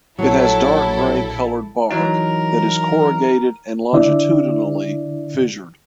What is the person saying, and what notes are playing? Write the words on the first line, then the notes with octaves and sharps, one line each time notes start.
It has dark grey coloured bark that is corrugated and longitudinally fissured.
A#1 F#3 E4 A4
E3 F#3 D#4 A#4
D3 D4 E4 D5 E5